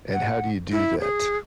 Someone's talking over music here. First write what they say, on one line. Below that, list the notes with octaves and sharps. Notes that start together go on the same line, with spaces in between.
and how do you do that?
F#5
E4
G#4